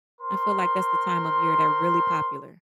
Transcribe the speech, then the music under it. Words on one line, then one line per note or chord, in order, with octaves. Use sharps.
I feel like that's the time of year they're really popular.
A#4 C5 C6